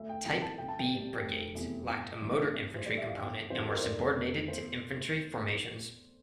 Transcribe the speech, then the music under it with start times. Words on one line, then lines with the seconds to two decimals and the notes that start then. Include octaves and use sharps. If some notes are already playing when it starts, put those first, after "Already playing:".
"Type B" brigades lacked a motor infantry component and were subordinated to infantry formations.
Already playing: D2 E5
0.09 G5
0.25 C3 E3 G5
0.42 A5
0.58 C2 G5
0.68 A5
0.79 G5
0.90 C3 G3
1.23 F1
1.55 E2 C3 E3
1.88 G1
2.20 G2 E3 A3
2.54 C2
2.76 C5
2.86 A#2 G3 D5
2.97 E5
3.08 F5
3.18 G1 G5
3.50 F2 E3 G3 C5
3.62 A4
3.69 A#4
3.76 C5
3.83 F1 D5
4.16 F2 D3 A#4
4.48 E2 C5